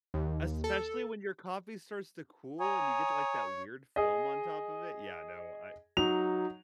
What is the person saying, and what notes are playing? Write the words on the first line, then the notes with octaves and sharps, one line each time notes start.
Especially when your coffee starts to cool, and you get, like, that weird film on top of it, yeah, no, I
D#2
A4
C#5 G#5 A#5 D#6
G#4 D#5
F#3 D#4 F7